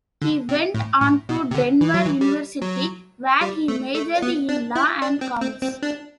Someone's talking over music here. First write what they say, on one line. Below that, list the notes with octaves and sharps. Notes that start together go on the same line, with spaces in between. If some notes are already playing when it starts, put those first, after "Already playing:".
He went on to Denver university, where he majored in law and commerce.
D3
C3
A2
A2
B2
C3
D3
E3
F#3
E3
G3
F#3
G3
A3
A3
B3
D4
E4
D4
C4
C4
C4
D4